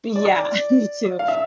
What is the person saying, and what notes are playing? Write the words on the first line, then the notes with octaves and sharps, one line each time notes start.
Yeah, me too
D5
D5
F5
E5